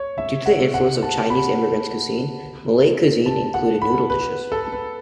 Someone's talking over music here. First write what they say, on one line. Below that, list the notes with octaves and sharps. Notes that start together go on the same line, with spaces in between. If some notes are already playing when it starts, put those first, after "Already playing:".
Due the influence of Chinese immigrants cuisine, Malay cuisine include noodle dishes.
Already playing: C#5
E5
F#5
F#5
A5
B5
A5
F#5
B5
B4
A4
B4